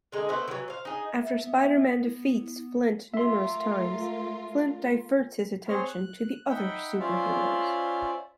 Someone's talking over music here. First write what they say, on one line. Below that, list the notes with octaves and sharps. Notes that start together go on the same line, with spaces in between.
After Spider-Man defeats Flint numerous times, Flint diverts his attention to other super heroes.
D3 G#3 D#4
A3 B3 E4 C5
D#3 E3 F#3
C5 F5
D#4 G#4
E5
B3
E4
A3 F4 A#4 E5 C6
C4 G#4 C5 C#5 F6
F#6
D#4 E5 F#5 G5 B5
C#4 F4 C5 D5 E5 F5